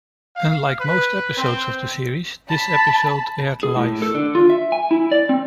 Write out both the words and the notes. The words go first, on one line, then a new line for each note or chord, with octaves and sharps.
Unlike most episodes of the series, this episode aired live.
F5
B4
C4
A5 B5
G#4
A2
A4
D3
F4
E5
G#5
E4
D5
C4